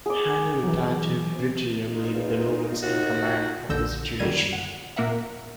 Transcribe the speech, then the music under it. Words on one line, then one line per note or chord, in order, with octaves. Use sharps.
Hanno retired to Bruttium, leaving the Romans in command of the situation.
G#4 D6
E3 F#3
D#4 F4
E2
D#2 F#4
A#1 D#2 D3 E6 G6 A#6
F#2 D3 D#3 G3 G#6 D#7
F#5
A#2 A#3 A#4 E5 F#5